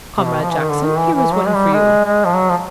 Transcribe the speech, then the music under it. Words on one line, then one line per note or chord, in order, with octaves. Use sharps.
Comrade Jackson, here is one for you.
C3
B2
F3
E3
D#3
D3
D#3
E3
E3
F#3
G#3
G3
G#3
G#3
F3
F#3
F3